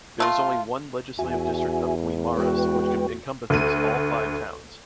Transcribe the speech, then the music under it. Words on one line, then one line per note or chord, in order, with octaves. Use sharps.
There is only one legislative district of Guimaras which encompasses all five towns.
A3 F4
E2 F#4 E5 G#5
G#3 F#4 B4 G5
D2 D#7